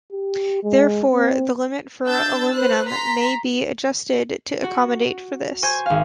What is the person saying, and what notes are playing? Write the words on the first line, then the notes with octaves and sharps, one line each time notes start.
Therefore, the limit for aluminium may be adjusted to accommodate for this.
G4
G#3
C4
D4 E6 G6 A6
B4 C5 F#6
A#5 C6 B6
F#4
C5 G#5 C#6 G#6
G#1 F5